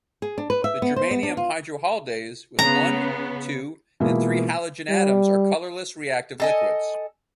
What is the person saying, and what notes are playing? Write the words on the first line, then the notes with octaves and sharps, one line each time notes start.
The germanium hydrohalides with one, two and three halogen atoms are colorless reactive liquids.
G#4
D4
B4
E5
B3
C5
B3
D4
F4
C#3 B3 A#5
B2 E3 G#3 A#3 E4 F4
G3
A4 D#5 G#5